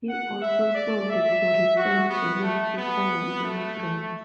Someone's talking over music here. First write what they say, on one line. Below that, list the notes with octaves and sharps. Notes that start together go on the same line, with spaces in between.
He also sold to recent German fishermen immigrants.
F#5
E5
D5
E5
F#4
B3
A3
B3
A3